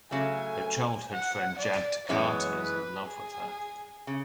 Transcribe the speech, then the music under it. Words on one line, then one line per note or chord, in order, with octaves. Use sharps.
Her childhood friend Jad Takarty is in love with her.
C#3 F#3 A3 G#5
F#5
D5
F#2 E3 G#3 B3 C#5
B4
G#4
C#3